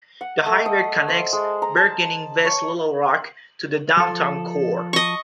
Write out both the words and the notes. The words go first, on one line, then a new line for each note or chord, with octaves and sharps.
The highway connects burgeoning West Little Rock to the downtown core.
F#5
A3
D#5
C5
G#3
A#5
A5
C#5
F3 A4
D#5 C#6